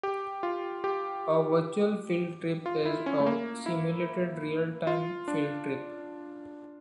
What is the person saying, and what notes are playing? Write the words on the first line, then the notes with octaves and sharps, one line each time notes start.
A Virtual field trip is a simulated, real-time field trip.
G4
F4
G4
F4
E4
C#4
A3
A#3
E4
F4
D4